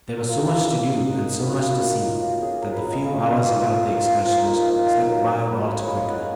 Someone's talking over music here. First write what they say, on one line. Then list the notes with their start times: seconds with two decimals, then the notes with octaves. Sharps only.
There was so much to do and so much to see that the few hours allowed the excursionists slipped by all too quickly.
0.17 F#3 A#4
0.28 F4
0.37 A#3 D#4 F#4
0.58 F#3
0.78 A#3 D#4
0.98 F#3 G#4
1.08 F#5
1.19 A#3 D#4 D#5
1.30 D#5
1.40 F#3 B4
1.50 F#4
1.59 A#3 D#4 F5
1.71 F#4
1.80 A#3 F4
2.00 C#4 F4
2.20 A#3 F#4
2.41 C#4 F4 G#4
2.62 F#3 A#4
2.73 B4
2.82 C#4 F4 C#5
2.92 D#5
3.02 F#3 F5
3.22 C#4 F4 F#5
3.43 A#3
3.63 C#4 F4
3.83 A#3
4.05 C#4 F4
4.25 F3 A#5
4.46 A#3 D#4
4.65 F3
4.85 A#3 D#4
5.06 F#3
5.26 A#3 C#4
5.47 F#3 B5
5.57 C#6
5.67 A#3 C#4 B5
5.77 C#5
5.88 G#3 D#5
6.08 C#4 F4 F#5
6.19 G#5